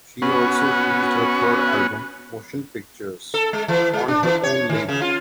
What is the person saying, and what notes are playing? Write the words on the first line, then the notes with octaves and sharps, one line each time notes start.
She also released her third album "Motion Pictures", on her own label.
B3 C#4 F#4
A4
G#3
E3
G#3
D4
E3
C#5
D#3
C#3
F4